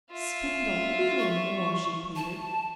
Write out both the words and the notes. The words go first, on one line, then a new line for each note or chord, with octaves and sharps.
"Spend a little more," she pleaded.
F4 E5
C#6
A5